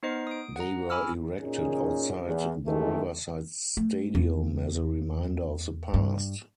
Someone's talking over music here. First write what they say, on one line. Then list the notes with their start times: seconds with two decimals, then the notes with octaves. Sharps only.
They were erected outside the Riverside Stadium as a reminder of the past.
0.03 B3 D#4 C5 D#5 C7
0.27 D#6 D7
0.56 F#5 A#5
0.90 G#5 B5 D6 E6 F6
1.40 A#2 C#4 D#4 G#4
2.26 E2
2.66 F#2 D#3 E3 G#3 A3
3.77 A3
4.15 E2
5.94 G2